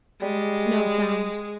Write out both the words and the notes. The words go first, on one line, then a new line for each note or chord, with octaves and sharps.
No sound.
G3 G#3